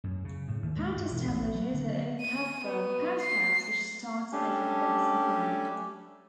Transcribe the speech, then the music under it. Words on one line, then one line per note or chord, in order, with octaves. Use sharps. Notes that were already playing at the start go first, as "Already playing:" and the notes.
Pat establishes her own cab firm, "PatCabs", which starts making them some money.
F#2
C#3
A2
D#2
G#3
G2
E1
A1
F#3
D3
D#7
B3
C7
G3 A3 C#4 D4 G4